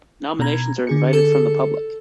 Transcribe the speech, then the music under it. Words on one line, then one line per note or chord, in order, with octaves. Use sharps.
Nominations are invited from the public.
B2 A#5 G#6
D3 G#4 C#7
A4